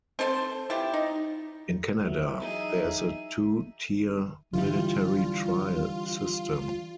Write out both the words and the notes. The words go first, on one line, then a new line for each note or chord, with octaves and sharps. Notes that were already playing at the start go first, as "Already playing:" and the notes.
In Canada, there is a two-tier military trial system.
C4 A4 C5
E4 F4 G4
D#4
E3 F#3 E5
D#4 G#4
D3 E3 G3 F4